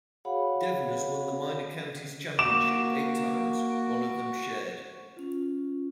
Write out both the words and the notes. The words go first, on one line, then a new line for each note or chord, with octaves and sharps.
Devon has won the Minor Counties Championship eight times, one of them shared.
F#4 G#4 C#5 F5 F#5 B5
A#3 F#4 D6 E7
C#4 F4